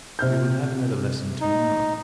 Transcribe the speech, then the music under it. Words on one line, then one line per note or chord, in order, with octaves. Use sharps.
We will have another lesson to-morrow.
C3 F6 G6
D#4